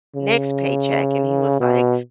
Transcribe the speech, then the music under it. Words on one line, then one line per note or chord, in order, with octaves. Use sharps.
next paycheck.” And he was like,
C#3
B2